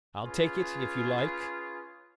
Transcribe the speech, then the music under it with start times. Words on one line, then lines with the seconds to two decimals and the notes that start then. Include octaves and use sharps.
"I'll take it, if you like."
0.24 C#4 F4 G#4 B4